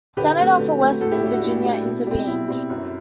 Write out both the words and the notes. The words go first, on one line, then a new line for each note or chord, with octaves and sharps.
Senator for West Virginia, intervened.
D3 G4 B4
F#3 A3 C4
D3
F#3 A3 C4
A2 F#4 A4
E4 G4
G3 D4
F#4
A2 E4
G3 D4
B2
G3 C4
B2 E4
G3 C4
F#2